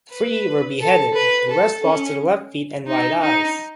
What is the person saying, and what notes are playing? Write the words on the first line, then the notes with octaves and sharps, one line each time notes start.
Three were beheaded; the rest lost their left feet and right eyes.
B4
A4
B4
A4
C#4
D#4
D#4